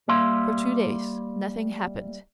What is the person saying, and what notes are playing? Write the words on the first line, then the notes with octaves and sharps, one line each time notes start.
For two days nothing happened.
G3 A#3 E5 F5 C6